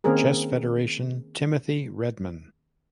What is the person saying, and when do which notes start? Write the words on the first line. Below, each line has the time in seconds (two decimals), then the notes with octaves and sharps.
Chess Federation, Timothy Redman.
0.04 D#3 A#3 C4 C#4 G#4 A#4